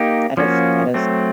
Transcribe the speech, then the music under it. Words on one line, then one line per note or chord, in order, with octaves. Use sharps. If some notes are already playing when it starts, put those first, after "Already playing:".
That is that is
Already playing: A#3 D#4 G4
F3 A#3 C#4 F#4
F#3 A3 C4